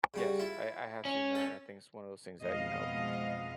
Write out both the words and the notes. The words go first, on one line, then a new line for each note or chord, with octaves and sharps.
Yes, I I have seen that, and I think it's one of those things that, you know
C#3 G3 F#4
E4 F4 E5
C#4
A4
F2 B2 G#3 B3 D#5 F5